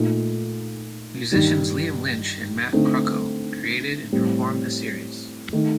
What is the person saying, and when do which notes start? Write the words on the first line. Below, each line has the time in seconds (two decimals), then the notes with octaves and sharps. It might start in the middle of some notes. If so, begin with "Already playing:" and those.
Musicians Liam Lynch and Matt Crocco created and performed the series.
Already playing: A#2 A3 D#4
1.32 G2 D#3 G3
2.73 D3 A3 C4 D#4
4.12 A2 G3 C4
5.53 D#3 A3 D#4